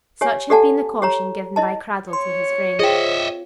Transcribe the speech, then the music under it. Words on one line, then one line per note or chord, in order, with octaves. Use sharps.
Such had been the caution given by Cradell to his friend.
G4 C#5 G#5
G4 A4 D5 F#5 G#5 A5
G4 C#5 A#5
E4 D#5 A5
C#5 C6
C4 F4 G#4 D#5 E5 G5